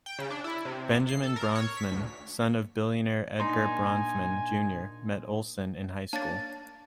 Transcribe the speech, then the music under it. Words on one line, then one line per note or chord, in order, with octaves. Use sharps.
Benjamin Bronfman, son of billionaire Edgar Bronfman Junior met Olsen in high school.
G5
C#3
D4
E4
C3
C7
A4
A#4
C#5
B6
D2
A#2 A#3 D4 D#4 G#5 C6
A#3 D4 C#5 A5 A6